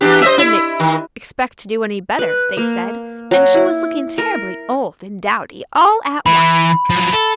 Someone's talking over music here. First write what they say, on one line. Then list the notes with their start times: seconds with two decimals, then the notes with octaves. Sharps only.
She couldn't expect to do any better, they said, and she was looking terribly old and dowdy all at once.
0.01 E2 D4 G4
0.22 C5 D#5 E5
0.38 E4
0.80 D#3
2.19 B4
2.57 A#3
3.31 F#3
3.54 E4
4.18 A#4
6.26 E3 B5
6.90 F3 F#3
7.13 A4